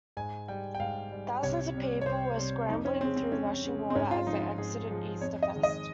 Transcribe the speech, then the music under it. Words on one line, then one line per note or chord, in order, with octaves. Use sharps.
Thousands of people were scrambling through rushing water as they exited Easterfest.
G#2 G#5
G3 G5
G5
G#2 F5
G3
C2 C#5
C3 G3
C#5
C2 C5
C3 G3
F2 D#4
C#4
C#3 G#3 C4
C4
F2 C#4
C#3 G#3
C4
G#2 C#4
F4
F3 G#3 D#4
F4
G#2 G#4
F3 G#3
F2 C#5
D#5
D#3 G#3
D#5